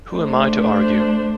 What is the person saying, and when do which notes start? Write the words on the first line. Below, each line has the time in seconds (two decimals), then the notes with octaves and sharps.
Who am I to argue?
0.14 A3 D4 C5